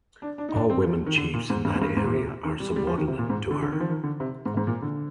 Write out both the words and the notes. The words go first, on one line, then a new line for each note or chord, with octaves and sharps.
All women Chiefs in that area are subordinate to her.
D4
D4
D#4
D4
C4
F3
D#3
D3
A#2
G#2
G2
G#2
G2
G#2
A#2
C3
D#3
G3
G#3
G3
F3
D#3
C3
A#2
G#2
D3
D3
D#3
F3
D#3
D3
C3
G#2
G#2
A#2
D3